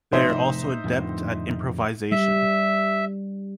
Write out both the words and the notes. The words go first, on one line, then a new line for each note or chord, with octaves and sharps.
They are also adept at improvisation.
F1 A2 D#4 C5 E5
F2 A2 D3
G3 E5